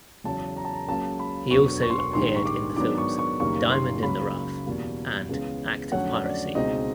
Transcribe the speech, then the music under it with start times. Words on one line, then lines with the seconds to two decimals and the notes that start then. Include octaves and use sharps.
He also appeared in the films "Diamond in the Rough" and "Act of Piracy".
0.24 E2 C#3 F#3 A5
0.57 A#5
0.65 A5
0.73 A#5
0.87 C#2 C#3 F#3 A#3 A5
1.19 B5
1.51 E1 D2 D3 F#3 B3 C#6
1.82 C#6
1.90 C6
1.99 C#6
2.13 A#1 G#2 D#3 G3 C6
2.36 C#6
2.46 D6
2.77 G#2 D#3 F#3 B3 D4 D6
2.98 C#6
3.19 C#6
3.40 F#1 F#2 D#3 G3 A#3 C#6
3.71 C6
4.03 C#2 C#3 F#3 A#3 C#4 B5
4.66 E2 B2 G3 A#3
5.29 C#2 C#3 E3 G#3 B3
5.92 F2 D3 F#3 A3 C#4 F#5
6.23 D5
6.55 C#2 B2 G#3 C4 D#4 D#5